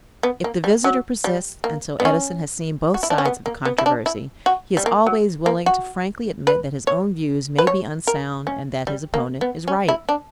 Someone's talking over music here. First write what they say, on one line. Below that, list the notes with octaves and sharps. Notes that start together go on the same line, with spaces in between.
If the visitor persists until Edison has seen both sides of the controversy, he is always willing to frankly admit that his own views may be unsound and that his opponent is right.
B3
A#3
G3
F#3
G3
A#3
B3
C#4
F#4
E4
D4
C#4
B3
A#3
B3
E4
D4
E4
F#4
G3
A#3
F#3
A#3
F#4
B4
C#5
B4
C#5
A#4
C#4
G3
A#3
B3
C#4
E4
D4